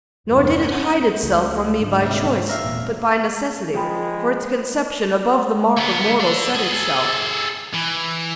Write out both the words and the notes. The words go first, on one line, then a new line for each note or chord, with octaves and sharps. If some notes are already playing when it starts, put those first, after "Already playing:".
Nor did it hide itself from me by choice, But by necessity; for its conception Above the mark of mortals set itself.
E2 G2 C3 D4
C#4 F#5 G#5 G6
C#2 A3
G#2 D3
D#2 C3
A#4 E5 F5
E1 A#2
F3 G#3 C5 G5 B5
D3 B3
D4 A4
G#4 A4
E3